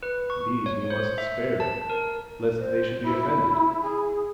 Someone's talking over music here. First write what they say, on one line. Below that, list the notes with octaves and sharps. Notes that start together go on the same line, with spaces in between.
These we must spare, lest they should be offended.
B4
C#6
C#5
C5
E5
A5
A#4
C5
E4
G#4